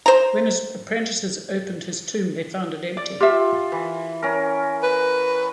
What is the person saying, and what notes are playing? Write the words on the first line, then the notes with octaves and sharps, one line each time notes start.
When his apprentices opened his tomb, they found it empty.
C5 A#5
D5
F4 G4 E5
E3
C#4 A#4
B4